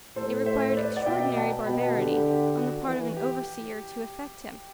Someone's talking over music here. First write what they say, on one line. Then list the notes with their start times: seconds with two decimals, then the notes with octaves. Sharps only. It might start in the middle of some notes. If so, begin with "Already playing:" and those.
It required extraordinary barbarity on the part of an overseer to affect him.
0.16 A2 A4 C5
0.46 C5 E5
0.77 B4 D5
0.96 D5 F#5
1.06 B2 E5 G5
1.36 F#5 A5
1.66 B2 G5 B5
1.81 F#5 A5
1.96 D3 G4 B4
2.12 G4
2.26 G4
2.57 F#4
2.86 E3
3.17 G4